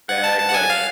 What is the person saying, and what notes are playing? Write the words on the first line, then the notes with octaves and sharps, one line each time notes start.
vague, like
F#5
A5
A5
F#5
G#5
F5